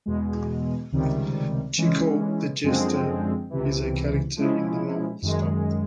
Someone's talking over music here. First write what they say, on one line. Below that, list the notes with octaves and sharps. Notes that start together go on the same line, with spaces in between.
Chicot the Jester is a character in the novel.
E2 B2 G#3
C#2 C3 D#3 G3
E3 G#3 C#4
F#2 D3 F3 G#3 C4
C#2 C3 E3
F3 G#3 C#4 E4
F#2 D#3 G#3